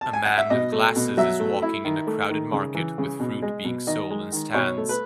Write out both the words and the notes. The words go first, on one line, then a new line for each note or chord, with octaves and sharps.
A man with glasses is walking in a crowded market with fruit being sold in stands.
A5
G#5
F#5
E5
B2 D#5
A3
B2
F#3 E5
A3
E4
D#3
A3
D#3
C#3
E3
C#3
B2
G#3
B2
D#3 D#5
G#3
D#3
B2 C#5
A3
B4